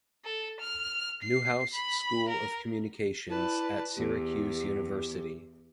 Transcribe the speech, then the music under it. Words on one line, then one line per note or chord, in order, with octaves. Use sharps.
Newhouse School of Communications at Syracuse University.
A4
F6
C7
B5
A#4
E4 B4 D5 A5
E2 G4